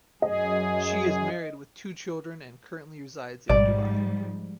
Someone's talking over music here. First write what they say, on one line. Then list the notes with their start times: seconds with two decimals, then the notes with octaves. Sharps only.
She is married with two children and currently resides in Dubai.
0.22 F#2 G#4 D#5
3.49 A1 G#2 B2 F3 G3 D5